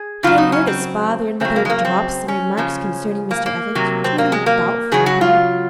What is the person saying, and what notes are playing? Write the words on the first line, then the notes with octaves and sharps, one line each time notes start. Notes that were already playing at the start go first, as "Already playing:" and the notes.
He had heard his father and mother drop some remarks concerning Mr. Evans which made him doubtful of him.
Already playing: G#4
C#3 F#3 F4
D#4
C#4
C4
C#3 F#3 C4
A#3
G#3
A#3
C4
C#4
C#3 F3
A#3
A#3
C3 F#3
C4
A#3
G#3
A#3
C#3 F#3 G#4
F#4
F4